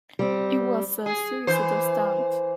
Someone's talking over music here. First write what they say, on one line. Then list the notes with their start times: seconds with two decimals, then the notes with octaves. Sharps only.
It was a suicidal stunt.
0.19 G3 C4
1.06 G#4
1.47 E3 C5